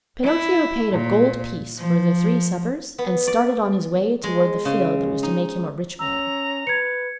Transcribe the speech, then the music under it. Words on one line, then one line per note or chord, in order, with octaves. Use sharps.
Pinocchio paid a gold piece for the three suppers and started on his way toward the field that was to make him a rich man.
E4
A#2
F3
B3
D5
G#3
C#3
D#4
C#4 A#5 E6
B4 G#6 C#7